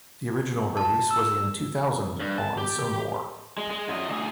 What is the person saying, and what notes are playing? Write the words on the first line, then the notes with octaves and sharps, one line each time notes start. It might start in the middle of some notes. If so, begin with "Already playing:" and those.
The original release was in two thousand on Sonore.
A5
E6
G2
A5
G4
G#3
G#3
F#2 D#5
D2 G#4